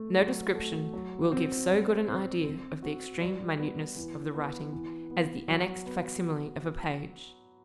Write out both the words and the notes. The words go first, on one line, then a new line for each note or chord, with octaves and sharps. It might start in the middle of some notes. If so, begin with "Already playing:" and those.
No description will give so good an idea of the extreme minuteness of the writing as the annexed facsimile of a page.
Already playing: A3
F#3
A3
F#3
C4
G3
C4
C4
F#4
G3
B3
E3
B3
E3
B3
F#3
B3